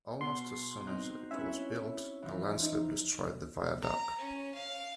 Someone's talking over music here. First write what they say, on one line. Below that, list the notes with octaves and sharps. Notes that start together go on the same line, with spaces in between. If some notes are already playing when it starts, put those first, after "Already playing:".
Almost as soon as it was built a landslip destroyed the viaduct.
B2 C6
C4 D#4 F#6
C#4 E4 B4 E5
E3 F3
D#4
A#5
C#4
F5